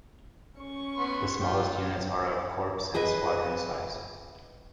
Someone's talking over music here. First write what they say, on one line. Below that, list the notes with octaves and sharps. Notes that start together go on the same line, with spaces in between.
The smallest units are of corps and squadron size.
C#4 C#6
B3 C6
F4 G5
G#4 B4 D#5 G#5